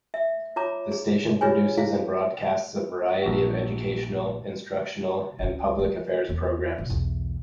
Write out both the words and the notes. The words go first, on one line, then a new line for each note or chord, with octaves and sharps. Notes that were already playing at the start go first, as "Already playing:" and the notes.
The station produces and broadcasts a variety of educational, instructional and public affairs programs.
E5
F4 C#5 A#5 D6
G#4
F4 G#4 B4 C#5 G#5
E4 G#4 F5
A#1 F#4
C#2 C#3
F3 G#3
E2
B2 F3
B1 E2